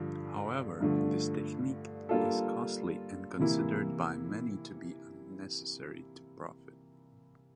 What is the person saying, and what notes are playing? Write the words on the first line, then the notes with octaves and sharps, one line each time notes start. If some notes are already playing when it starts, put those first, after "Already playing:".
However, this technique is costly and considered by many to be unnecessary to profit.
Already playing: G2 D3 F3
G2 D3 F3 A3
G3 A#3 D4 F4 A4
C3 E3 A#3 E4